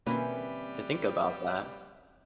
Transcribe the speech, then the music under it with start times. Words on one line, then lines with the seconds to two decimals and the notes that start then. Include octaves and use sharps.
to think about that.
0.07 B2 D3 E3 G3 A#3 C4 C#4 B4